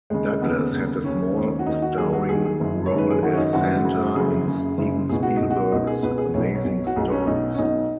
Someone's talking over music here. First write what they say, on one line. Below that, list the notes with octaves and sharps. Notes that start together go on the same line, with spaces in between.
Douglas had a small starring role as Santa in Steven Spielberg's "Amazing Stories".
D#2 C#3 G#3
D#2 C#3 B3
D#2 C#3
D#2 C#3 C#4
D#2 D#3
F#4
D#2 D#3 D#4
F#4
D#2 D#3 G#4
F#4
D#2 D#3 G#4
G#4
F#1 F#2 D#3
C#5
F#1 F#2 D#3
B4
G#4
F#1 F#2 D#3 F#4
C#4
D#4
F#1 F#2 D#3 F#4
F#1 F#2 C#3
F#1 F#2 C#3 G#4
F#1 F#2 C#3
F#1 F#2 C#3
C#2 B2 G#4
F#4
C#2 B2 D#4
F#4
C#2 B2 D#4
G#4
C#2 B2 B4
G#4
B1 B2 C#5
C#5
B1 B2
F#4
B1 B2 G#4
C#4
B1 B2 D#4
C#4
B1 B2 D#4